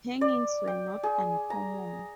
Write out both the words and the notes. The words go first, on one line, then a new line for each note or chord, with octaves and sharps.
Hangings were not uncommon.
D5
G5
G#4
A#5